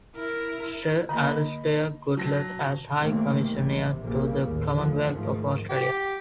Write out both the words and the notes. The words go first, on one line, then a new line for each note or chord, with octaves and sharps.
Sir Alastair Goodlad, as High Commissioner to the Commonwealth of Australia.
E4 A#4
D3 A#3 D#5 B5
F#3 A5 A#6
C3 D#3 E3 A3 A#3 C4
A1 C3 G3
A#1 A#2 C#3 G3 A#3
A1 D#2
F1 F3
D2 G#2 D#3 F3
G4